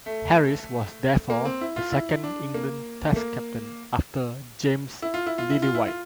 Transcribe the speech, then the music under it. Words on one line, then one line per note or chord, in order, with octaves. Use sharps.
Harris was therefore the second England Test captain after James Lillywhite.
A3
A#3
C4
E4
F4
E4
D4
A#3
A3
A#3
E4
F4
E4
F4
E4
F4
E4
F4